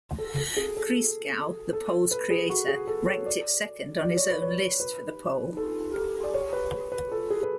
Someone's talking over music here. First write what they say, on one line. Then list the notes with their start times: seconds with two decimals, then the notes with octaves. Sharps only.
Christgau, the poll's creator, ranked it second on his own list for the poll.
0.18 A4
0.38 A4
0.57 G#4
0.77 A4
1.73 A4
2.11 B4
2.30 G#4
2.49 F#4
2.68 G#4
2.87 A4
3.08 C#5
3.26 D5
4.03 D5
4.17 C#5
4.30 B4
4.42 C#5
4.80 B4
5.57 A4
5.96 A4
6.24 D5
6.34 C#5
6.53 B4
6.73 B4
6.92 B4
7.12 A4
7.30 G#4
7.43 B4